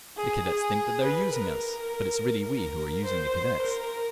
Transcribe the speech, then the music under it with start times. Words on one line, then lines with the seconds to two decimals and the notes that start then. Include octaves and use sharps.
The Cadets think they are using us; but it is really we who are using the Cadets.
0.17 G#4
0.45 G#4
1.03 B4
1.32 A#4
2.47 A#4
3.04 C5
3.61 A#4